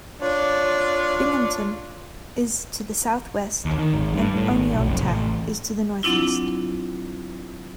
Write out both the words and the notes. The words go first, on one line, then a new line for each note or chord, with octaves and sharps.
Binghamton is to the southwest, and Oneonta is to the northeast.
D4 F4 C#5
D#2
D#3
G#1
G2
A2
G#1
B1
F1
A1
F#3 C4 D4 E4 F4